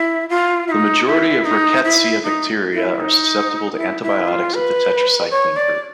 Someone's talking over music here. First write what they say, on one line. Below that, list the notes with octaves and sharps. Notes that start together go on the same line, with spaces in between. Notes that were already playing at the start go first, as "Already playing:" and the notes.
The majority of "Rickettsia" bacteria are susceptible to antibiotics of the tetracycline group.
Already playing: E4
F4
E4
D#4
E4
D#4
E4
D#4
E4
D#4
E4
E4
F4
B4
C#5
D5